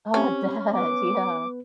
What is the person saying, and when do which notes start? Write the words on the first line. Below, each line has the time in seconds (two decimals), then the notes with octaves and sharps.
Oh, I bet, yeah.
0.14 C4 C#4 G4
0.74 B3 B4 D6